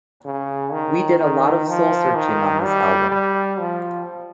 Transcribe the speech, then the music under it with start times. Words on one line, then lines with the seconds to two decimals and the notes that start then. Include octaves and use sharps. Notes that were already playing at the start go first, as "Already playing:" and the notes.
We did a lot of soul searching on this album.
0.25 C#3
0.72 D#3
1.20 D#3
1.68 F3
2.16 D#3
2.63 G3
3.11 G3
3.59 F3